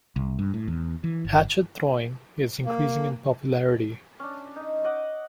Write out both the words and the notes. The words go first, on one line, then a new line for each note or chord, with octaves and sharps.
Hatchet throwing is increasing in popularity.
C2
G2
A2
E2
E3
G1
A#3
C#4 D4
D#4
D#5 F#5 D6